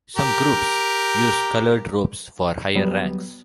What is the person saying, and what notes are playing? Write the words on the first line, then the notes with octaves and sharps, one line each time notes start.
Some groups use colored robes for higher ranks.
G4 A#4
F#3 G3 B3